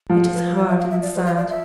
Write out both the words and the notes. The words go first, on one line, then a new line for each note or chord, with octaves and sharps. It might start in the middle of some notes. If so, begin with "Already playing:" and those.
It is hard and sad.
F3 C5
A4
B4
C5
D5
E5
F5
E5
D5
C5
F5
D5
E5